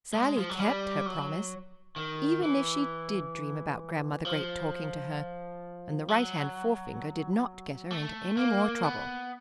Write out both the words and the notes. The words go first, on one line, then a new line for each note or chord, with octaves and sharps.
Sallie kept her promise, even if she did dream about Grandmother Great talking to her, and the right-hand forefinger did not get her into any more trouble.
G#3
F3
F#3
G3
F#3
D#3
E3
F3
F#3
A3
A#3
B3